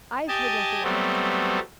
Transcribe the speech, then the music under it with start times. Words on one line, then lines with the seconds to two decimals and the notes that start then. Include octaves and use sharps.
"I've heard nothing of it."
0.28 G4 D#5 G#5 A5
0.83 F#3 G3 A3 B3 C4